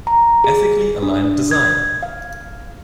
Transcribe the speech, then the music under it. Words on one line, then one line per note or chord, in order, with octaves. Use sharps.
Ethically Aligned Design.
A#5
G#4
D4
G#6
F5